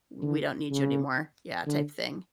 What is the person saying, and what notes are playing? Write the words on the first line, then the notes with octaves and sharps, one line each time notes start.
"We don't need you anymore," yeah, type thing.
D3
C#3
D3